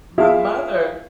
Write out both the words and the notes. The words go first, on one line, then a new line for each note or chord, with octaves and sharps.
My mother,
E4 F4 G#4 E5 F5